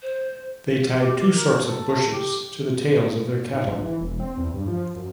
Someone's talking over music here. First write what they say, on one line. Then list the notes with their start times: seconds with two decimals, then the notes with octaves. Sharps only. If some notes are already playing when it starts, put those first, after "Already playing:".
They tied two sorts of bushes to the tails of their cattle.
0.02 C5
0.98 G4
1.34 A#4
1.65 A4
2.11 G4
3.53 G#2
3.67 A#1
3.81 E3
4.00 E1
4.20 C4
4.38 E2
4.54 G2
4.67 F3
4.96 F#2